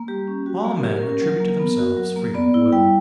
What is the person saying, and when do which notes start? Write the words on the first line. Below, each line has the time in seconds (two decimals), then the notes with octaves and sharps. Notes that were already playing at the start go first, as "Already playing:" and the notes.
All men attribute to themselves freedom of will.
Already playing: A#3
0.08 G3 G4
0.28 C#4
0.46 G3 F#4
0.65 A#3
0.77 A#4
0.84 A#3 G4
0.97 A#4
1.03 C#4
1.09 A#4
1.22 F#3 A#4
1.40 A#3
1.59 B3
1.79 F#4
1.97 F#3
2.16 A#3
2.34 B3 D5
2.54 E4
2.73 G3 G5